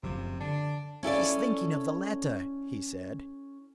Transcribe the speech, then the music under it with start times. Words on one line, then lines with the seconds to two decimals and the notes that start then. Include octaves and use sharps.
"She's thinking of the letter," he said.
0.03 F#1 C3 F3
0.40 D3 D4
1.03 C#4 E4 A4 D5